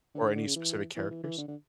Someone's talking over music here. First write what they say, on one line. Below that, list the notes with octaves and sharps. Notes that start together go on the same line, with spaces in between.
or any specific characters?
D3
D3
D3
C#3
E3
E3
E3
E3
D3
D3